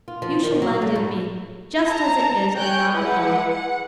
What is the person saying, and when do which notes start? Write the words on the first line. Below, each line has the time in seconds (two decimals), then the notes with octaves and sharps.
You shall lend it me just as it is or not at all.
0.08 F4
0.22 F3
0.44 D#3
0.62 F#3
0.82 A3
0.96 A2
1.88 A5 A#5
2.55 C#5 G5 G#5 F#6 G6
2.91 G#3 E4 B4 F#5
3.50 F#5